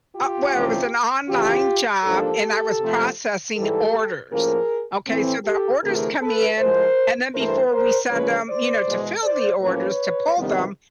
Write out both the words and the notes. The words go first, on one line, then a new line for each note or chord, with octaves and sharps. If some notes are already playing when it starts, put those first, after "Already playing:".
Uh, well, it was an online job and I was processing orders, okay? So, the orders come in, and then before we send them, you know, to fill the orders to pull them,
F4 G4
F2 C3 E3 A3 C#4
E2 C#3 E3 F4 G4
G#2 F3 A#3 D4 G4 A4
C3 F3 A3
G#2 E3 G3 G4 A4
A2 F3 A#3 C#4 G#4 A#4
A2 E3 A3 C4
G4 A4
D2 C3 E3 A3 C4 G#4 A#4
A4 B4
A2 F3 G#3 A#4 C5
G2 E3 A3 A#4 C5
A#4 C5
E2 C#3 F3 G#3 C#4 B4 C#5
C5 D5
E2 B2 G#3
C5 D5
A2 F3 A#3 C#4 B4 C#5
F2 C3 D#3 G3 B3